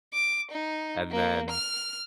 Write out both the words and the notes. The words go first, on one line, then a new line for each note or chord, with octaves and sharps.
and then
D6
D#4
A#3
F6